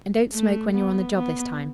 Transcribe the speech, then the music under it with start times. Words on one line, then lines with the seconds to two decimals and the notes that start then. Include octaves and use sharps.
And don't smoke when you're on the job this time.
0.33 A3
0.73 B3
1.14 B3